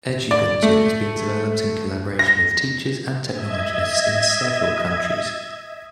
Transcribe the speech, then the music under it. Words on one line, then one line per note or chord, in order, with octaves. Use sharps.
Edubuntu has been developed in collaboration with teachers and technologists in several countries.
D5
A3
A#6
D#5 E5 G#6